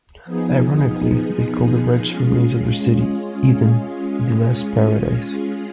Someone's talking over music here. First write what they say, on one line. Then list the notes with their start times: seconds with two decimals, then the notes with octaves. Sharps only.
Ironically, they called the wretched remains of their city Eden- the last paradise.
0.25 F3 B3 D#4 G#4
2.05 G#3 C#4 F4 G#4